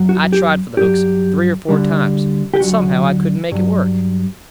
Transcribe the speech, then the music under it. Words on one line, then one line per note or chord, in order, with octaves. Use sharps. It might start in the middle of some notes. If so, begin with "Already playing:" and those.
I tried for the hooks three or four times, but somehow I couldn't make it work.
Already playing: F#2 F#3
F#4
G4
G2 F#3 G4
D2 D3 G3
G4
D2 D3 F#3 F#4
G2 F#3